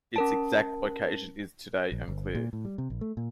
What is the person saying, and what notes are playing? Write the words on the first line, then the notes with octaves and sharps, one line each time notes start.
Its exact location is today unclear.
C#4 A#4 A5
A#1
G1
A#2
A2
G3
C3
A#1
A3
A#2